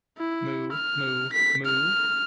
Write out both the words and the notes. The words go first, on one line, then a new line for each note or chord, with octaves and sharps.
Moo Moo Moo!
E4
F6
B6
F6